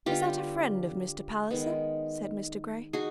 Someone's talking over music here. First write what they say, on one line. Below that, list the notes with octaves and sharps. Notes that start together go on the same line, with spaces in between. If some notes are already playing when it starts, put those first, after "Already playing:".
"Is that a friend of Mr. Palliser?" said Mr. Grey.
D3 G3 B3 F4 G4
D#3 G#3 B3
D#4 F#4 G#4